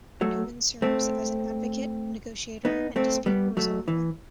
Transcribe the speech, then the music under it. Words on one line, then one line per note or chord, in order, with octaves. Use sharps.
Newman serves as an advocate, negotiator and dispute resolver.
F#3 A3
A3 C4
B3 D#4
A3 C4
G3 B3
F#3 A3
E3